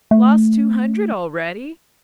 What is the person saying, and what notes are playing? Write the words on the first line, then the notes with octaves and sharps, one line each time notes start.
Lost two hundred already?
A3